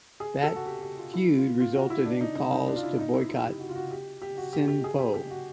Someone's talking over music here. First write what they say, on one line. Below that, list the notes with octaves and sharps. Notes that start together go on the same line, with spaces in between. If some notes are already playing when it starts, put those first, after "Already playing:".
That feud resulted in calls to boycott "Sin Po".
G#4
A4
F#4
G4
G4
F4
E4
F4
F4
F#4
E4
D4
D#4
D#4
D#4
D4
F4
E4
D#4
E4
E4
G4
F#4
F4
F#4
G4
G4
F#4
G4
G4
G#4
G4
G4
F#4